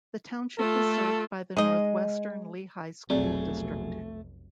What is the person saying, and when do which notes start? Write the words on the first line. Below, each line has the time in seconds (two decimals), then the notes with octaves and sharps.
The Township is served by the Northwestern Lehigh School District.
0.58 A3 F4 A4
1.57 G#3 D#4 D#5
3.10 F1 B1 B2 F#3 A3 C4 G#4 D5